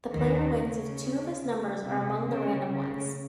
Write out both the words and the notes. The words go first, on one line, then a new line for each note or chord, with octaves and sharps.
The player wins if two of his numbers are among the random ones.
D#2 D#3
C#3
C3
C#3
C#3